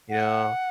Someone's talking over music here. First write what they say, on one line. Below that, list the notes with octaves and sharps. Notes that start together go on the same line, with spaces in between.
You know?
F#5